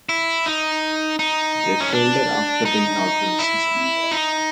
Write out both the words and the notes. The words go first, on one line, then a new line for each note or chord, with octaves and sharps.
They folded after the inaugural season.
E4
D#4
D#4
C#4
D4
D#4
E4
D#4